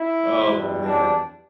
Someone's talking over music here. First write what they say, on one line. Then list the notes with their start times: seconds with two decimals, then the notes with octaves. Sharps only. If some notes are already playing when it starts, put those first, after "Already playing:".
Oh man.
Already playing: E4
0.39 E2 B2 G3
0.84 D4